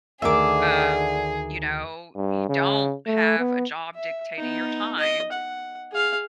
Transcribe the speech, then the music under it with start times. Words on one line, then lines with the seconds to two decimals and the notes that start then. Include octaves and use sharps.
um, you know, you don't have a job dictating your time,
0.22 D2 D3 D#3 G#4 A#4 E5 D6
2.15 G2
2.49 C#3
3.07 A3
3.39 B3
3.95 E5
4.38 B3 D#4
4.98 D#5
5.32 F#5
5.92 G#4 F5